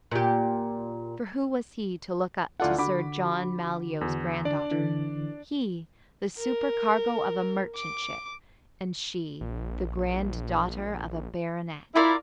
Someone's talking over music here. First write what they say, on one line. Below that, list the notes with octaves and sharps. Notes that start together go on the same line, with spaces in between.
For who was he to look up to Sir John Malyoe's granddaughter, he, the supercargo of a merchant ship, and she the granddaughter of a baronet.
A#2 G4
D2 E4 F4 A4 D5 F#5
D3 F#4 B5 D6
E2
D4 D5
D3 E3
A#4
D6
A#1
E4 F4 A#4 D5